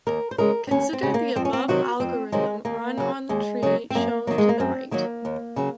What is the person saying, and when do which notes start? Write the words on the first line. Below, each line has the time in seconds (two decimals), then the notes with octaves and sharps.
Consider the above algorithm run on the tree shown to the right.
0.07 D#2 A#4
0.31 C5
0.38 C#3 G#3 A#4
0.67 C4
0.71 D#2 C#4
0.93 C4
1.03 C#3 G#3
1.14 A#3
1.36 F2 C4
1.45 C#4
1.53 C4
1.68 C3 D#3 F#3 F#4
2.00 F2 C4
2.32 C3 D#3 F#3 G#3
2.65 D#2 A#3
2.98 C#3 F#3
3.29 D#2 G#3
3.63 C#3 F#3
3.90 C4
3.95 F#2 A#3
4.27 D#3 F#3 A#3
4.38 G#3
4.49 A#3
4.60 F#2 C4
4.91 D#3 F#3 A#3
5.25 D#2
5.56 C#3 F#3